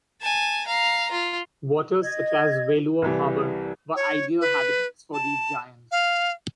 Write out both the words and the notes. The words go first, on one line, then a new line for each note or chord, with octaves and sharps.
Waters such as Wailuo Harbor were ideal habitats for these giants.
G#5 A5
F5 A#5
F4
D#5 G#6
C2 E3 G3
C#5
B4
A5
F5